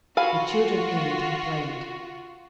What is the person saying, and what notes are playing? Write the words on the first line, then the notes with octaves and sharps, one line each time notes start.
The children ate and played.
F4 F#4 F5 G#5 B5